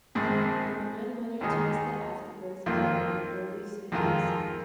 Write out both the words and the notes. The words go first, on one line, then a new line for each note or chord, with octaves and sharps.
The grandmother takes the afterbirth away and buries it in the sand.
A#1 G#2 D#3 C4 G#4
D#2 D#3 G#3 D#4 G#4
F2 D#3 A#3 F4
F2 D#3 G#3 F4 A#4